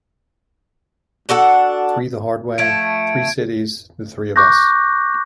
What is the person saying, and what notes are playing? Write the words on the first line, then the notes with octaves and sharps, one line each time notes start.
Three the hard way, three cities, the three of us.
D4 F#4 A4 F#5
F3 A3 G#6 D7
C#6 D6 F#6 G6 A#6